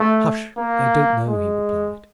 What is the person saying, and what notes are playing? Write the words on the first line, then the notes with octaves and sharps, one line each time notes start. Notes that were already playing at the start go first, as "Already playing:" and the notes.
"Hush, they don't know," he replied.
Already playing: A3
A#3
G#3